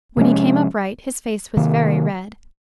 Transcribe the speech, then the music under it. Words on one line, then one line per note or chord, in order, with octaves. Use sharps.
When he came upright his face was very red.
C3 F3 G#3 C#4
C3 D#3 A#3